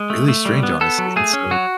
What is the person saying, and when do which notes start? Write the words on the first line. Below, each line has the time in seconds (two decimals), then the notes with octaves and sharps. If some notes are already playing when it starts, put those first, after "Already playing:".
really strange, honestly, and so
Already playing: G#3
0.10 A3
0.28 A3
0.45 G3
0.63 B3
0.81 B3 A4
0.98 F#3
1.16 A3 G#4
1.33 C#4
1.51 F#3 F#4